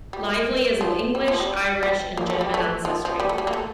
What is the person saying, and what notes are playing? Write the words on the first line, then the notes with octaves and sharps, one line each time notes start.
Lively is of English, Irish and German ancestry.
G3
F3
G3
F3
G3
G3
A#3
A3
G3
A3
F3
F3
G3
A3
G3
A#3
A3